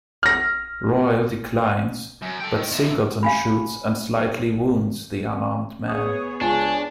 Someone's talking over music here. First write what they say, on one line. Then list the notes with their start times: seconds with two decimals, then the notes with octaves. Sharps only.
Royle declines, but Singleton shoots and slightly wounds the unarmed man.
0.23 F6 A#6
2.22 F#2
2.40 A4 G5
2.55 D#3
2.72 B2 E5
3.23 F5 G#5 B5
5.88 B3 G#4 C#5 D#6
6.41 C#2 D4 G#5